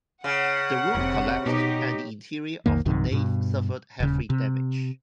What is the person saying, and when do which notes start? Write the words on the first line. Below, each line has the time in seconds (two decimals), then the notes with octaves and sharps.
The roof collapsed and the interior of the nave suffered heavy damage.
0.24 C#3 F#5
0.95 F1 C3
1.46 B2 D#4 G4
2.66 B1 F2 D#3 A#3
2.85 A#1 F#2 C3 D#3
3.11 G2 B2
4.00 D#1 C#3
4.30 C3